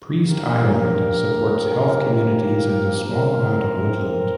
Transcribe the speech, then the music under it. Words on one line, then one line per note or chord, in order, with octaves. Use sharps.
Priest Island supports heath communities and a small amount of woodland.
G2 F3 A#3 G4 A#4
F2 F3 C4 A#4